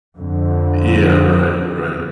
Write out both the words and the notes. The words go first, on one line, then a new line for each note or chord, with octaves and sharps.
Yeah, right, right.
F2 D3